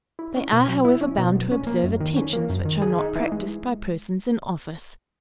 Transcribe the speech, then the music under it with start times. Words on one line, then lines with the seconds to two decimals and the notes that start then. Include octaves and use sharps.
They are however bound to observe attentions which are not practised by persons in office.
0.19 E4
0.36 C#4
0.52 B2
0.68 F#3
0.85 E4
1.01 C#4
1.18 B2
1.35 F#3
1.51 C#4
1.67 A#3
1.84 F#2
2.00 D#3
2.16 C#4
2.33 A#3
2.49 F#2
2.65 D#3
2.82 G#4
2.98 D#4
3.16 E3
3.32 G#3